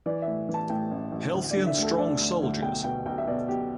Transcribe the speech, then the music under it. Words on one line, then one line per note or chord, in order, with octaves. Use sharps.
Healthy and strong soldiers!
E3 D5
E5
A2
E3
A5
A2 G5
A1
A1
D2
D5
D3
E5
D2
A4
D3 D5
D2
D2
B1 G5
B2 G5
B1 G5
E5
B2 D5
B1 G4